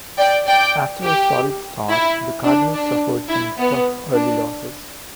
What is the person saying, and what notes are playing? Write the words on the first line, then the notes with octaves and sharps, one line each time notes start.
After a solid start, the Cardinals suffered some tough early losses.
D5 G5
D5 G5
G4
E4
D4
D4
E4
B3
D4